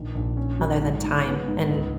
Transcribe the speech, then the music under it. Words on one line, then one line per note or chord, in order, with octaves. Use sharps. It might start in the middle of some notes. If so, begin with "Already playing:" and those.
other than time, and,
Already playing: A#1 D#3
A#1
C#4
F#3
G#2
G#2
B3
G#2
C#2